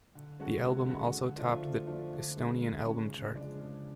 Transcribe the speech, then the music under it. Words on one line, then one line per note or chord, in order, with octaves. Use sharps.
The album also topped the Estonian album chart.
D3
G#3 C#4 F#4 A4
D3
G#3 C#4 F#4 A4
D3
F3 A3 D4 F4
D3
F3 A3 D4 F4
D3
G#3 C#4
D3
G#3 C#4
C#3
F3 G#3 D4
C#3